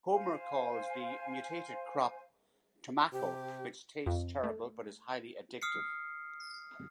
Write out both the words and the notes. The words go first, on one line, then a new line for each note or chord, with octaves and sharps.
Homer calls the mutated crop "Tomacco," which tastes terrible, but is highly addictive.
C5 F5 G#5
C3 G4
F2
A3
D#6 F6 C7 C#7